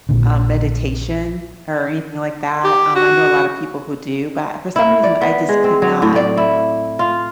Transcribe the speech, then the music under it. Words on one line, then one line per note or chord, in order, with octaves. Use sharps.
um, meditation, or anything like that, um, I know a lotta people who do, but I for some reason, I just could not
A#1 A#2 D3
G4
F#4
E4
D5
B3
G#3
C4
F#3
A2
D5
E4
F4